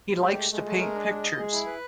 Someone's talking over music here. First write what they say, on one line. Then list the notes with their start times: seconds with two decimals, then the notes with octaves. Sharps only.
He likes to paint pictures.
0.21 G#3 G4
0.35 A3
0.50 G#3 A3
0.65 A3
0.79 A#4
0.94 D4
1.09 D4
1.23 D#5
1.38 G#3 G#4
1.52 E4
1.66 B4